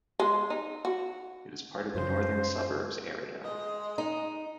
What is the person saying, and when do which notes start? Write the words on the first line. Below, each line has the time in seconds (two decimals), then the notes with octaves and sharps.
It is part of the Northern Suburbs area.
0.19 G#3
0.50 D#4
0.85 F#4
1.95 F#2 C#3 C5
3.44 G#3 D#5
3.98 D#4